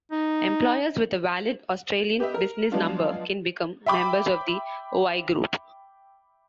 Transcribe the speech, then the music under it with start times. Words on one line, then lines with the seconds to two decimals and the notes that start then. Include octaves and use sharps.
Employers with a valid Australian Business Number can become members of The Oi Group.
0.12 D#4
2.19 B3 G4 B4 D#5 E5
2.34 A#4
2.72 F3 F#3 G#3 B3 D4 F4
3.86 E5 G5 B5 D6